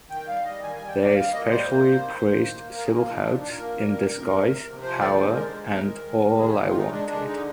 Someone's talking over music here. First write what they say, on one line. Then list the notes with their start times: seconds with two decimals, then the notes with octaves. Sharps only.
They especially praised "Silhouettes in Disguise," "Power", and "All I Wanted".
0.10 D#3 G5
0.27 G3 F5
0.45 G3 D#5
0.63 D#3 G#5
0.76 G3 G#5
0.88 G5
0.97 D#3 D5
1.14 G3 F5
1.32 A#3 D#5
1.50 G3 C5
1.67 A#3
1.84 A#3
2.02 D#3
2.20 D#3
2.37 A#3
2.55 A#3
2.72 A#3 A#4
2.85 A#3 G#4
2.98 F4
3.07 F3 D#4
3.24 A#2 D4
3.42 A#2
3.51 A#4
3.60 A#3
3.76 G3
3.94 C3
4.12 C3
4.30 C3
4.47 C3
4.64 C3
4.82 F3 C5
4.98 D3 D5
5.16 G#3 C5
5.33 D3 A#4
5.47 G#3 C5
5.68 G#3 A#4
5.86 D#3
6.03 G#3
6.21 C3
6.38 D#3 G#4
6.51 G#3 G4
6.65 F4
6.73 G#3
6.78 D#4
6.90 G#3 D4
7.08 G#3 D4
7.26 D3 D#4